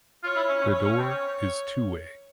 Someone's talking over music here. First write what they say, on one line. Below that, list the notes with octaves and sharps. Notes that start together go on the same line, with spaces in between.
The door is two-way.
F4 C#5
E4
C#4
C#4
C#5
C#4
C4
C#4